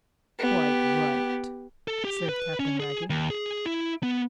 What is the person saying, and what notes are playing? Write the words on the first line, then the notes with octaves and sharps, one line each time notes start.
"Quite right!" said Captain Wragge.
B3 G4
A4
G4
B4
C#4
G#4
D#2
G#4
E4
B3